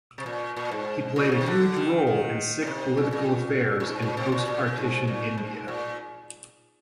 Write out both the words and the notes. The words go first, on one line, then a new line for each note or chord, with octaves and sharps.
He played a huge role in Sikh political affairs in post partition India.
C3
A#2
A#2
G#2
A#2
C3
D#3
D3
D#3
D#3
A#2
C3
A#2
A#2
A#2
G#2
A#2
C3
A#2
A#2
G#2
A#2
G#2
A#2